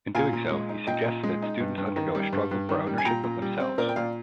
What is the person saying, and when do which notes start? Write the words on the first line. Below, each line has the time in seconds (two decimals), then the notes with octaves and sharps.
In doing so, he suggests that students undergo a struggle for ownership of themselves.
0.15 A#2 F5 G#5
0.33 A#2
0.51 G#3
0.69 D#4
0.87 A#2 D#5 G5
1.05 A#2
1.23 G#3
1.43 D#4
1.60 G2
1.78 G2
1.96 D#3
2.15 G3
2.33 G2
2.51 G2
2.69 D#3
2.87 G3
2.98 G#5
3.05 A#2 G5 A#5
3.23 A#2
3.42 G3
3.60 C4
3.78 A#2 A#4 D5
3.89 G5
3.96 A#2 D5 F5